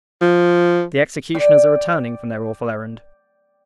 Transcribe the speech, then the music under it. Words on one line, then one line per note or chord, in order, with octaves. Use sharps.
The executioners are returning, from their awful errand.
F3
D5 G5